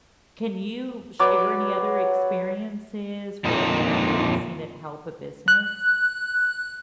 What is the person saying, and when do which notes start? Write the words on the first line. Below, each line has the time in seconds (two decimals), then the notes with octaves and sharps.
Can you share any other experiences where you have really seen it help a business?
1.19 F#3 B4 D5 D6
3.44 F2 A#2 D3 D#4
5.48 F#6